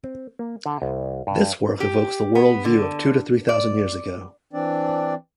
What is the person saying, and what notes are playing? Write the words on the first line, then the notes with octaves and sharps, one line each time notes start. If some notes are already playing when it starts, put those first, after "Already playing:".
This work evokes the world view of two- to three thousand years ago.
C4
A#3
D3
C2
G2
G4
B3
D3
D5
E3 C4 D4 D5